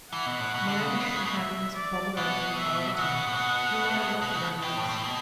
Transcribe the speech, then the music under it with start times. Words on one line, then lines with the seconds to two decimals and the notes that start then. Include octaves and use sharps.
Merriment and happiness bubble out of him all the time, no matter what the weather is.
0.13 E3 F#5
0.26 B2
0.40 A2
0.54 B2
0.68 D3
0.80 C#3
0.95 A2
1.00 C#3
1.04 B2
1.16 C#3
1.25 B2
1.35 E5
1.76 D5
2.17 B2 F#5
2.59 E5
2.98 C#3 F#5
3.12 B2
3.27 A2
3.36 C#3
3.39 B2
4.21 B2
4.35 C#3
4.62 B2 G5
4.76 A2
4.89 A2
5.04 B2